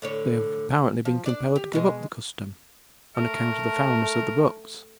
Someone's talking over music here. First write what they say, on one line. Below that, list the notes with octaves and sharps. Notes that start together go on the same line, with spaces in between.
They have apparently been compelled to give up the custom and account of the foulness of the brooks.
A2 D3 C#5
F3
D4 D5
G4
B2 G#3
A3 A#4